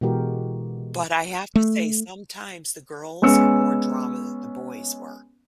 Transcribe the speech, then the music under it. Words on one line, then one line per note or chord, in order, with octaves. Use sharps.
but I have to say sometimes the girls are more drama than the boys were.
B2 E3 G#3 F#4 G4 A#4
A3
G#3 B3 C#4 E6 C#7